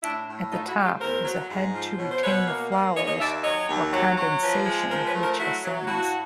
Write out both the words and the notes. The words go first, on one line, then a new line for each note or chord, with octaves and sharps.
At the top is a head to retain the flowers, or condensation, which ascends.
A2 D4 E4
A2
A3 D#4 F4
E4 F#4
A3
F4 G4
E2 A#4 C5
F#3
G#2
F3
B2 C#5
C5
B2 B4 C#5
A#3
A#3
D#2 C#5 D#5
C#5 D#5
D#2 D5 E5
F#3 C#5 D#5
D#2
F#3
F#3
F3 B4 C#5
G#3
F3 A#4 C5
B4 C#5
A3
A#4 C5
F#3 E4 F#4
F#3
G2 E4 F#4